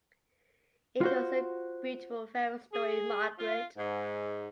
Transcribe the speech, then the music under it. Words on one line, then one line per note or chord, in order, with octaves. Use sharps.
It was a beautiful fairy story, Margaret.
F4 F#4 C5
G#4
F4
G#2